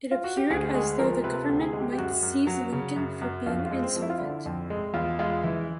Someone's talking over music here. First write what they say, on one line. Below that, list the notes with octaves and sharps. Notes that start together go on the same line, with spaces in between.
It appeared as though the government might seize Lincoln for being insolvent.
F4
F#4
G4
D2 G#4
G#3 G#4
F3 A#4
C3 B4
A4
D2
G#4
G#3
G4
G4
F#2 F#4
F#2
F#3
C#3
F#2
F#2
F2 F4
F4
G#3
C4
F3
E4
F4
D3 E4
F2
G#3
E2 F4
G#3 F4
E3 E4